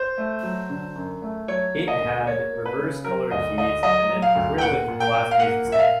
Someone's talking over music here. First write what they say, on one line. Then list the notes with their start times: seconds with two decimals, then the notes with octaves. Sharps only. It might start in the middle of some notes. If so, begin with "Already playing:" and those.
It had reverse-colour keys and an acrylic glass music stand.
Already playing: C5
0.18 A3
0.43 F#3
0.70 D3
0.95 F#2
1.22 A3
1.48 F#3 C#5
1.74 A#3
1.88 D#5
2.00 D2
2.27 A#3 C#5
2.53 A#3
2.65 B4
2.79 C#3
3.04 F#3 A#4
3.31 D2 D#5
3.58 D2 D#5
3.83 F#3 D#5
4.09 F#3
4.22 F5
4.35 D2
4.58 G5
4.61 A#2 F#5
4.88 A#2
5.00 G5
5.14 A#2
5.31 F5
5.40 A#3 F#5
5.67 A#2
5.72 E5
5.79 F5